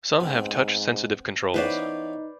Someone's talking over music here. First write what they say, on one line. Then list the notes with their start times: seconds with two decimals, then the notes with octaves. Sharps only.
Some have touch-sensitive controls.
0.20 G#2 B3 C4
1.54 E3 B3 C#4 D#4 B4 C5 D5